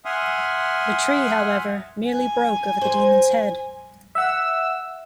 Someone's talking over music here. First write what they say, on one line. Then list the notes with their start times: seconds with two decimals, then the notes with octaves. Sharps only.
The tree, however, merely broke over the demon's head.
0.05 E5 F#5 G#5 C6 D#6 F6
2.06 G#5
2.81 C5
4.15 E5 F#5 E6